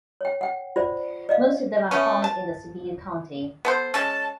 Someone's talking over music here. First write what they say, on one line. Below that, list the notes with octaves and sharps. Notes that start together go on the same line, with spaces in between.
Most of them are found in the Sibiu County.
C#5 G5
F#5 G5
F4 C5 D5
D5 D#5 F5
A3 B3 C#4
A5
B3 A4 C5
G#3 C#4 A5